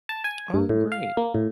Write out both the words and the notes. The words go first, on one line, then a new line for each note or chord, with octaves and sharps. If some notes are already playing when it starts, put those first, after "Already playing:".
Oh, great.
A5
G#5
G2
A2
F5
A#3
A2